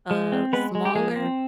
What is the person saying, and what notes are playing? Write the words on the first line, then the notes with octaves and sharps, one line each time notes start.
a smaller
G#3
C4
G#3 B3 B4
G#3
G4
F3 G#3 G#4
C4